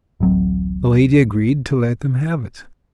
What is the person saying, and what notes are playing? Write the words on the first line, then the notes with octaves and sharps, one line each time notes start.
The lady agreed to let them have it.
D1 A1 F#3 C4